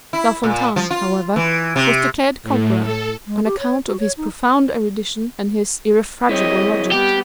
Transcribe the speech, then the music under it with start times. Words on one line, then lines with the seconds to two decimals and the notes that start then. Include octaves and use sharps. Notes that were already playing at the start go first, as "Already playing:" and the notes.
La Fontaine, however, was declared conqueror, on account of his profound erudition and his irrefragable logic.
0.13 E4
0.43 A#2
0.76 F3
0.91 F4
1.36 E3
1.76 C3
2.43 A2
2.82 A4
3.27 G#3
3.45 G4
3.59 C#5
3.87 F#4
4.00 C#5
4.17 D#4
6.29 C4 E4 G#4 C#5 D#5
6.92 G3 B3 G4